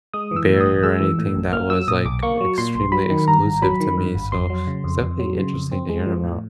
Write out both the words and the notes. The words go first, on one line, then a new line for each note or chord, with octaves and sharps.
barrier or anything that was, like, extremely exclusive to me, so, it's definitely interesting to hear about.
G#3 D#6
E3
E6
A2
D#6
A1
G#3 E6
E3
A2
A1
A#3 F6
F#3 E6
A#2 D#6
B1 D6
A#3 C#6
F#3
A#2 C6
B1
F#3 B5
D#3
G2 A#5
G#1
F#3 B5
D#3
G2
G#1
F2 C6
F#3
C#3
F2
F2
F#3
C#3
F2
C4
G#3
F3
A2